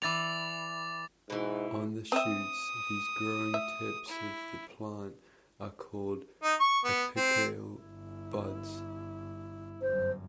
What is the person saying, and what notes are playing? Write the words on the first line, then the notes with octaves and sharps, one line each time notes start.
On the shoots, these growing tips of the plant are called "apical" buds.
E3 D5 D6 A6 F7
G#2 B2 E3
C4 E5 D#6
E5
E4
D#4
C#6
B3
C4
G1 E4
G1 F#2 C5